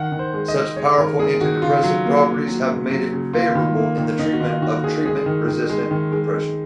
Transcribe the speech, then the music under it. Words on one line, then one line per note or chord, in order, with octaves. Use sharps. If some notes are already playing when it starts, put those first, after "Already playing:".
Such powerful antidepressant properties have made it favorable in the treatment of treatment-resistant depression.
Already playing: D#3 F#5
D#3
C5
G#3
D#5
G#3
G#3 C#5
D#3 A#4
G#3 G#4
D#3 F#4
C#3 F4
F#3
A#3
A#3
F#3
C#3
F#3
C#3
A#3 F4
D#3
A#3
D#3
D#3 D#4
F#4
D#3 F4
D#3 F#4
D#3 G#4
G#3 G#4
D#3
D#3
G#3
D#3
G#3
G#3